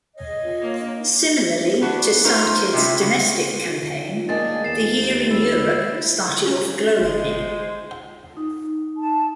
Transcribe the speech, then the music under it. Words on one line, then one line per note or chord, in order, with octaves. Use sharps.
Similarly to Sartid's domestic campaign, the year in Europe started off glowingly.
C#5 D#5
A#3
B3 D4 F#4
A3 D#4 F4 A#4 C5
C3 G#3 C#4 E4
C#3 F#4
D#3 A#3 D4 G#4 A6
E2 A#3 C7 E7
D#2
E4
C#4
G1 G#3 C5
D#4
A5